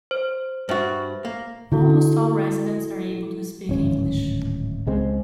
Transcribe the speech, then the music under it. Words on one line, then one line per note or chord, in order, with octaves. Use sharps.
Almost all residents are able to speak English.
C5
G2 F#4 C5 E5
A#3
D3 E4 F#4 A4
D1 G#1 C#4
C#2 G#3 C4